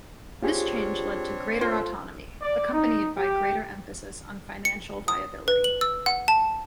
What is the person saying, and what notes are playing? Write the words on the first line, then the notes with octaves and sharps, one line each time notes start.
This change led to greater autonomy, accompanied by greater emphasis on financial viability.
C4 D4 F4 G4 G#4 C#5
F4 A4 C5 C6
D5
D#4
G4
C#7
D#6
B4
F#7
E6
F#5
A5